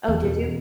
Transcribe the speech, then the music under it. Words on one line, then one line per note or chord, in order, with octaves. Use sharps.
Oh, did you?
E2
B2